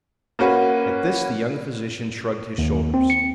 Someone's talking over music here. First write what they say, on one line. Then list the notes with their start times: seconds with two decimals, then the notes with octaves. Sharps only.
At this the young physician shrugged his shoulders.
0.39 A#3 C#4 F#4 B4
2.58 D#2
2.94 C4
3.10 C#7